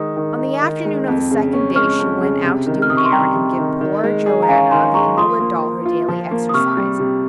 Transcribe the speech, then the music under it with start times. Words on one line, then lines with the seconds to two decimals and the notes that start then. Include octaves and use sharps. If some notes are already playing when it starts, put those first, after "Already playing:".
On the afternoon of the second day, she went out to do an errand, and give poor Joanna, the invalid doll, her daily exercise.
Already playing: D#3 G#3 D#6
0.17 D#3
0.39 D#4
0.62 D#3
0.85 G#3
1.07 F2
1.30 C#3
1.53 C#4
1.75 G#3 C#6 F6
1.99 F2
2.21 C#3
2.44 C3
2.66 D#3
2.82 F6
2.90 C3 D#6
2.97 C#6
3.05 C6
3.12 G3 G5 A#5
3.35 C3
3.59 D#3
3.81 D#3
4.03 G#3
4.26 G#4
4.42 A#5
4.49 C#4 F5 G#5
4.71 D#3 G#5 C6
4.94 G#3 A#5 C#6
5.17 F3 C6 D#6
5.40 A#3
5.62 A#4
5.85 F4
6.08 F3
6.31 A#3
6.49 D#6
6.54 C3 C#6 F6
6.77 G3
7.00 C3